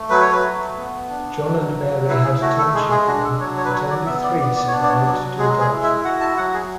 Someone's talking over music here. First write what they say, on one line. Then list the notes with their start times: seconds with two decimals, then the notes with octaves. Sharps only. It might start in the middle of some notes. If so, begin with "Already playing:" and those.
John and Mary had ten children, but only three survived to adulthood.
Already playing: A3
0.10 F#3 B4
0.21 C#5
0.32 B4
0.43 A3
0.76 B3
1.09 D4
1.42 F#3
1.75 F#3
2.08 E4 B4
2.24 G#4
2.41 A3 F#4
2.58 A4
2.74 G#3 G#4
2.91 G#4
3.07 D4 F#4
3.24 A4
3.40 F#3 C#5
3.57 C#5
3.65 B4
3.73 F#3 C#5
3.90 D5
4.06 B3 E5
4.23 D5
4.40 B3 D5
4.56 D5
4.68 C#5
4.72 D4 D5
4.83 D5
4.89 C#5
5.05 F#3 D5
5.38 G#3 G#4
5.60 G#4
5.72 E4
5.83 E5
6.04 F#4 F#5
6.21 A5
6.38 F#3 F#5
6.54 G#4